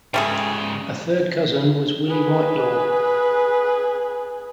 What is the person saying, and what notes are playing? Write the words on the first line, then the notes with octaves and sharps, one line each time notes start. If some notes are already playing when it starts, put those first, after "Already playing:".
A third cousin was Willie Whitelaw.
G#2 C#3 G3 A3 G#4
G#4 B4